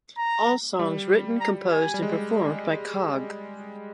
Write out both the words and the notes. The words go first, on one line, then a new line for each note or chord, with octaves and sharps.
All songs written, composed and performed by Cog.
A#5
G3
A#5
G#5
G3
G#3